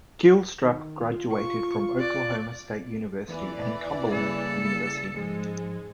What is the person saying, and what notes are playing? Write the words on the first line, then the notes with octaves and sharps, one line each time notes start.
Gilstrap graduated from Oklahoma State University and Cumberland University.
D#3
F4
C#6
D5 F#6
E2 E3 D5
C#3 G3 A#3 G#4 A4
G#2 F3 G#3